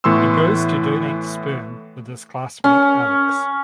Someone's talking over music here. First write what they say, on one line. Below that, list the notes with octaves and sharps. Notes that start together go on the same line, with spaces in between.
He goes to donate sperm with his classmate Alex.
A2 E3 B3 C6 C#6 E6
C#4